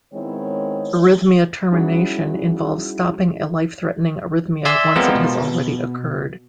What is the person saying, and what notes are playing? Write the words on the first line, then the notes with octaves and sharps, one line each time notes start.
Arrhythmia termination involves stopping a life-threatening arrhythmia once it has already occurred.
D#3 G#3 B3 C4 E4 C#5
G3 C#4 D#4 E4 F#4 G#4
D5 E5 G#5 C6 E6
G#3 B3 C4 F4 A#4
B2